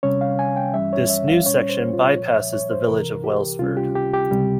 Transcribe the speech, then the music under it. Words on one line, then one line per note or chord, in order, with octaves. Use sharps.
This new section by-passes the village of Welsford.
C3 G3 C#4 C#5
F5
G#5
G5
G2 E3 G3 C#4 E5
C#5
E5
F5
A#2 G3 C#4 C#5
C5
F4
C2 A#2 F3 C#5
E5
C#5
C5
C2 C3 E3 A#4
G4
C#2 C3 G3 C#4 F4
G4
G4
G4
C#2 C3 G3 C4